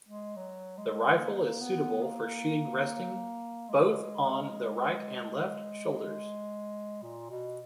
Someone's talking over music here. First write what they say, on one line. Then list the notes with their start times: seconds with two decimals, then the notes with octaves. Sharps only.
The rifle is suitable for shooting resting both on the right and left shoulders.
0.08 G#3
0.36 F#3
0.77 G#3
1.19 A#3
1.61 B3
2.02 A#3
3.69 G#3
7.03 A#2
7.30 B2